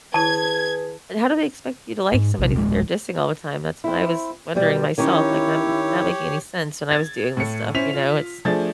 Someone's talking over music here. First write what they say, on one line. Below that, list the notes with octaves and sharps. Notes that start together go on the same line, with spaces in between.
And how do they expect you to like somebody that they're dissing all the time? That's what I was wondering myself, like, I'm not making any sense when I was doing this stuff, you know, it's
D#3 E4 G#4 B4 A5 G#6
G#2
A#1 C3
D1 G#3
C4 E4
B2 G3 D5
D#3 C#4 E4 G4 C#5
G#6 A6
A2 C#7
C#4 E4 C5 B6 F7
F4
F3 A3 D4 G#4 A6